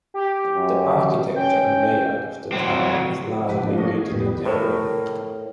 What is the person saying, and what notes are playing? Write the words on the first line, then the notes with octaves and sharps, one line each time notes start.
The architecture and layout of the town is largely utilitarian.
G4
F#2
C#4 G5
F#3 C4
G#2 C3 F3 G4 B4
G#2 F3 A#3 D4
F3 A3 A#3 C#4 F#4 D#5
G#4
F2 A2 D#3 G3 B3
A2 A#4